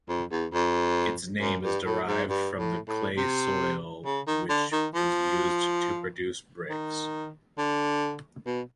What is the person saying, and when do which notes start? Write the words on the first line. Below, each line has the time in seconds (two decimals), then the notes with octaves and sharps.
Its name is derived from the clay soil, which was used to produce bricks.
0.09 F2
0.31 E2
0.53 F2
1.41 F#2
1.63 G2
1.85 A2
2.07 G#2
2.29 G2
2.59 A2
2.88 A2
3.17 C3
4.05 C#3
4.27 D#3
4.49 D3
4.72 D#3
4.94 F3
6.69 D#3
7.58 D3
8.46 B2